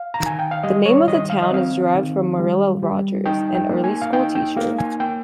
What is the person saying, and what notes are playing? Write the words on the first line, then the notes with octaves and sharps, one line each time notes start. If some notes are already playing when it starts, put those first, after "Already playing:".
The name of the town is derived from Marilla Rogers, an early school teacher.
Already playing: F5
A#5
D#3
G#5
G5
F5
G3 D#5
C#5
D#3 D#5
F5
D#5
C4 F5
D#3
G3
G3
D#4 G5
G5
A#3
G#5
F5
D#4 G5
G5
A#3 F5
G#5
A#3 G5